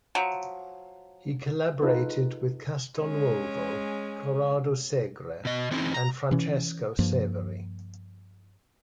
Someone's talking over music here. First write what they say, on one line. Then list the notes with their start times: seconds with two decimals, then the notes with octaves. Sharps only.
He collaborated with Castelnuovo, Corrado Segre and Francesco Severi.
0.15 F3 F#3
1.82 D#4 F4 G#4 A4 B4
2.99 G#3 C#4
5.45 B2 D#5
5.71 E3 C4 C#4 D#4 E4
5.94 A#5
6.31 E3 C#4
6.99 G2 F3 A#3